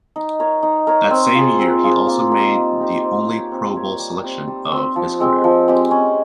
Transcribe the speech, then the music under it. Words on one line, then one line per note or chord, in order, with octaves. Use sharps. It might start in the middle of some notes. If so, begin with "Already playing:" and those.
That same year, he also made the only Pro Bowl selection of his career.
D#4
A#4 C#5
D#4
A#4 C#5
C4
F4 G#4
C4
F4 G#4
A#3
D#4 G4 A#4
A#3
D#4 G4 A#4
C4
G4 A#4 C#5
C4
G4 A#4 C#5
G3
C4 G4
G3
C4 G4
F3
G#3 C4 G4
F3
G#3 C4 G4
C#4